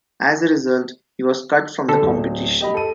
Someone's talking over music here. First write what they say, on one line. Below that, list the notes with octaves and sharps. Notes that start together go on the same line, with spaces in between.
As a result he was cut from the competition.
D3 A4
D1
G4 D#5 B5
A4 D#7